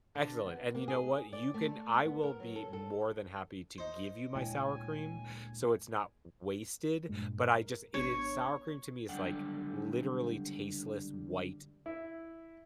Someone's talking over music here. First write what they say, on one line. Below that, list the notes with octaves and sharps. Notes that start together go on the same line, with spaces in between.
excellent, and you know what, you can I will be more than happy to give you my sour cream, so it's not w wasted, but I just, it is sour cream to me is like literally tasteless, white
D3
B3
A#3
G#4
D5
A3
B3
A#4
F#3
A4
A4
D#4 C5
D2 A#2 G#3 E4 C#5 G5 G#5
G2 A#2 G#3
A#4
G#1 B3 D4 C#5
C#2 F#2 D3 G3 G4 F#5
E4